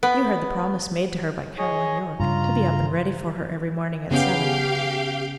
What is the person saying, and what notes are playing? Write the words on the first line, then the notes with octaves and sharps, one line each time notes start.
You heard the promise made to her by Caroline Yorke, to be up and ready for her every morning at seven.
B3
G#4 C#5 D#5
G2 C#3 F4 A#5
C#3 B3 C#4 G4 F5 G5